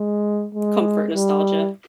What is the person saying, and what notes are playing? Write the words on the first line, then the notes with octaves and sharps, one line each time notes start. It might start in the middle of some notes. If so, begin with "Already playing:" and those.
comfort nostalgia.
Already playing: G#3
G#3
G3